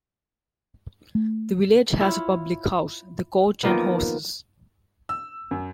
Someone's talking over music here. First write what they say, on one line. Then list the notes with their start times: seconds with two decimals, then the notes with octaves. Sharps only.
The village has a public house: "The Coach and Horses".
1.15 A3
2.00 E4 F4 C#5
3.63 D#3 F3 A#3 B3
5.09 E6
5.51 F#2